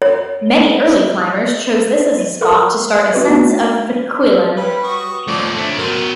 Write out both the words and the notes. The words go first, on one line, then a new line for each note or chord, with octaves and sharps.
Many early climbers chose this as a spot to start ascents of the Cuillin.
C#5
A4 A#4 E5 B5 C#6 F6
C4 F#4 B4
A3 B3 D4 D#4
G3 C#4 E4 B4
F#4 C#6 D#6
F2 A2 F3 C#4 D5
A3 D4 C#5
F#3 B3 A#4 C5